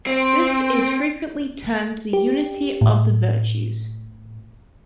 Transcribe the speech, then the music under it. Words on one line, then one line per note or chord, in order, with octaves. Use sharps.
This is frequently termed the Unity of the Virtues.
C4
G4
A2